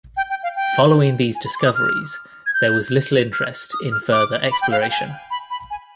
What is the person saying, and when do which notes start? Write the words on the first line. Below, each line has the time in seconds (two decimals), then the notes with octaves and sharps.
Following these discoveries there was little interest in further exploration.
0.17 G5
0.30 G5
0.43 F5
0.56 G5
1.35 G#5
1.46 B5
1.55 C6
1.60 D6
1.65 D#6
1.75 F6
2.46 G#6
2.54 G6
3.33 F6
3.72 D#6
3.92 F6
4.12 D6
4.52 B5
4.62 G5
4.71 F5
4.82 G5
4.91 G#5
5.30 B5
5.50 B5
5.70 G#5